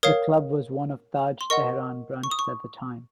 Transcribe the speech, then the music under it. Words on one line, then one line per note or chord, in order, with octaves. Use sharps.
The club was one of Taj Tehran branches at the time.
A#4 C#5 F5 D#6
C6
A#4 D#5 F#5 C#6
C#6
D#6
C#6